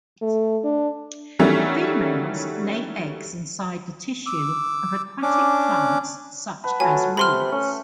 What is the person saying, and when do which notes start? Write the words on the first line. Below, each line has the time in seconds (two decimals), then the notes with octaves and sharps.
Females lay eggs inside the tissue of aquatic plants such as reeds.
0.22 A3
0.64 D4
1.39 D#3 E3 F#3 G3 A3 C#4
4.26 D6 E6
5.22 C#4 D4 D6
6.64 B4 F#5 A5
6.80 F#3 A3 F4 A4 G#5
7.17 C3 B5 C6 F6
7.52 A3 C#4